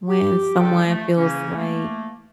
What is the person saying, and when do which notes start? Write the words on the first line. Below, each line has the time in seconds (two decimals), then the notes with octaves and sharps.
when someone feels like
0.08 G4
0.59 C#3 G3 D4 A4 G5
0.87 A3
1.17 C#3 E3 A#3 C#4
1.55 A3 A#3